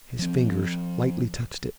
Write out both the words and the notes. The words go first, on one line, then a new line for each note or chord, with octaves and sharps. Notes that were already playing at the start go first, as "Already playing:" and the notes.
His fingers lightly touched it.
F3 C4